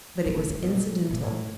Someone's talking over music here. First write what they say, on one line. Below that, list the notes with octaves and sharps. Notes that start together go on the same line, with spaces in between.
But it was incidental.
C3
C3
C3
B2
A#2
A#2
A2